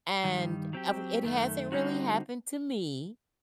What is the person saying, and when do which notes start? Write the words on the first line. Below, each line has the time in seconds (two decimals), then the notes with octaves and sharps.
And av it hasn't really happened to me,
0.23 G2 D#3 G3
0.73 F#3 C4 G4
1.23 F#2 D#3 A3
1.72 D3 G3 C4 D#4 F#4